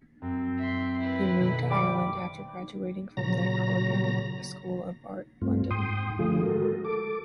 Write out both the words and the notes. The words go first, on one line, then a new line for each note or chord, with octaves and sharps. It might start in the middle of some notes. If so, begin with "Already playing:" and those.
He moved to Ireland after graduating from the Croydon School of Art, London.
F#2 C4 C7
E5 C6
E4 B4
B1 B2 D#3
G3 C5 D6
A#2 C#3 F#3 A#5 A#6
G2 A3 C4 F4
G#2 G5 C6 D#6
D3 F3 A3 F4 G#4 D#6
G#3 F#4 A4 A#4
A4 D6